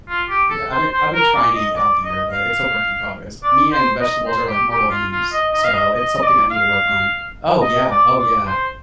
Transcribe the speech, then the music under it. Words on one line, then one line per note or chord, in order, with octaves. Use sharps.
Yeah, I've been I've been trying to eat healthier, but it's a work in progress. Me and vegetables are like mortal enemies, so it's something I need to work on. Oh, yeah, oh, yeah.
F4
G4
A4
C5
C5
A#4
D5
D#5
D5
D#5
F5
D5
C5
D#5
C5
G4
G4
F4
F4
D#5
D#5
F5
D#5
D#5
D#5
D5
F5
D#5
D5
D5
C5